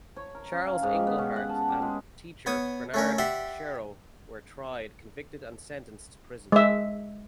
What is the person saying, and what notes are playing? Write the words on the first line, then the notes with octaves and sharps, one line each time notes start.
Charles Engelhardt and teacher Bernard Shero were tried, convicted and sentenced to prison.
C#5
A#4
C#4
F5
G#2
G4
B3
C#4
F#5
A5
G4
G#3
B3 C#5 D#6
A3 C#4 A#4
G4 D5 E5 F#5 C6
G#3 E5